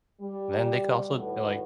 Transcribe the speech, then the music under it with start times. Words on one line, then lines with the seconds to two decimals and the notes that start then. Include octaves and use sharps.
then they could also d like
0.21 G3
1.16 D#2 A2 G3 F#4 B4